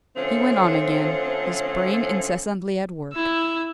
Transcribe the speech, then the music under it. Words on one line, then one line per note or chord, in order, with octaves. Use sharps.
He went on again--his brain incessantly at work.
D3 F3 A3 C4 C#4
E4 E6